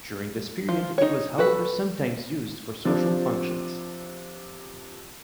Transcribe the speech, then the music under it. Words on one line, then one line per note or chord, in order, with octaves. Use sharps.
During this period it was however sometimes used for social functions.
F3 F4
D#4 C#5
F#4 A4 B4
C3 F3 C4 D4